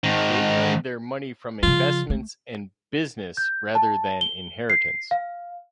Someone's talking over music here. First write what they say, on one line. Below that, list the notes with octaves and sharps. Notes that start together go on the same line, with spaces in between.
They earned their money from investments and business rather than inheritance.
G#2 D#3
C#3 F3 F4
A3
G6
A5
G7
C7
F5